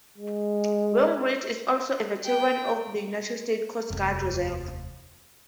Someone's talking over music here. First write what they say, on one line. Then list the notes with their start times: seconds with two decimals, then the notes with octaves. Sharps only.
Wainwright is also a veteran of the United States Coast Guard Reserve.
0.18 G#3
2.24 G5
3.90 F1 D#2